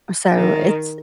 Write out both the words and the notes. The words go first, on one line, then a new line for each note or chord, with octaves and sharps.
So it's
D#3